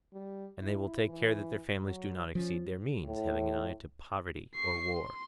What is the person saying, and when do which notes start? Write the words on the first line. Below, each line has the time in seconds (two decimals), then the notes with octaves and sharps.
And they will take care that their families do not exceed their means; having an eye to poverty or war.
0.13 G3
0.61 E4
1.08 E3
1.84 F#3
2.35 F3 C#4
3.04 A2
4.55 C#6 C7
4.94 C6